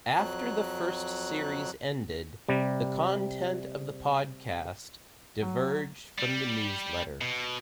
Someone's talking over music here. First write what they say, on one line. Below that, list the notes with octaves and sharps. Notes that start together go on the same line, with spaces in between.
After the first series ended, the content of the podcast diverged from the newsletter.
F2 F#3 F#6
C3 G3
F#3
G3
B2